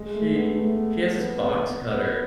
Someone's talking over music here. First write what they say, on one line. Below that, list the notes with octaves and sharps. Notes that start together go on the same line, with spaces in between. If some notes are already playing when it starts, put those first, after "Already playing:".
she she has this box cutter
Already playing: G#3
A3
B3
A3
B3
B3
B3
B3
B3